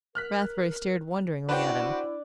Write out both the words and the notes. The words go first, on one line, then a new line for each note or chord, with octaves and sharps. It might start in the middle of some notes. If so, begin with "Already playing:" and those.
Rathbury stared wonderingly at him.
A#4 F6 F#6 B6
D4 E4 F#4 B4 C5 G5